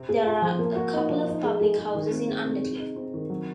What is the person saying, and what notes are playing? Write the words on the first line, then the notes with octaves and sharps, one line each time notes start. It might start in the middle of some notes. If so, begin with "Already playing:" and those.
There are a couple of public houses in Undercliffe.
Already playing: C3 C4
G#4
F4
F3
A#3
F#4
D#4
F3
D#4
G#3
G#4
G#3
D#3
C4
G#3
C3
G#3
D#4
C4
D#3
F#3